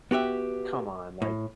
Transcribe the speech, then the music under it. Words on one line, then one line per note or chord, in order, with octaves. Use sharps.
come on, like
B3 F#4 G4 E5
A2